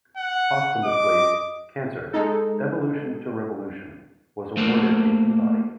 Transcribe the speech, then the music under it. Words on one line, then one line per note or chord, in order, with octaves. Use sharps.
Posthumously, "Cancer: Evolution to Revolution" was awarded a Peabody.
F#5
D#5 D6
G#3 D#4 A4
A3 A#3 C5